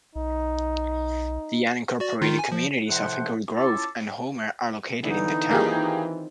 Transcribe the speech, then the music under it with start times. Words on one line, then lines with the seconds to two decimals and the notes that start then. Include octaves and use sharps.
The unincorporated communities of Hickory Grove and Homer are located in the town.
0.16 B1 D#4
2.00 F#4 D5
2.22 D#3 D#4 F4
2.39 G#5
2.52 F3
2.88 A2 C3 F3 C5 F#5
3.56 C#4 E4 F4 A4 A5 D6
5.03 D3 E3 B3 D#4 E4
5.51 D#3 F3 A#3 C4 G4 G#4